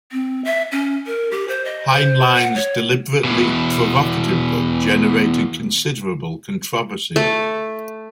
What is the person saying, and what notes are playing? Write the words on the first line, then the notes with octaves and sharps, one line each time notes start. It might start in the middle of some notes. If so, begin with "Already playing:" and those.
Heinlein's deliberately provocative book generated considerable controversy.
C4
E5
C#4
A#4
G4
C5
D#5
C5
F#5
C#5
E2 B2
A3